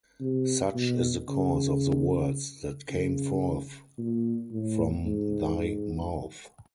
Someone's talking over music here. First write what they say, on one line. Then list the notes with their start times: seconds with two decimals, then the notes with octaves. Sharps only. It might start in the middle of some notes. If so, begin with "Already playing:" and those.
Such is the course of the words that came forth from thy mouth.
0.21 C3
0.75 B2
1.29 C#3
2.90 C#3
3.98 A#2
4.51 A2
5.05 G#2